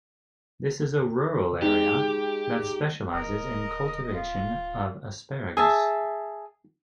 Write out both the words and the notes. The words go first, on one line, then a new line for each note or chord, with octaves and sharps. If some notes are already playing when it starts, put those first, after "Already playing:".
This is a rural area that specializes in cultivation of asparagus.
G#3 D#4 G4
D1 A#4 D#5
F4
G#4 E5 A5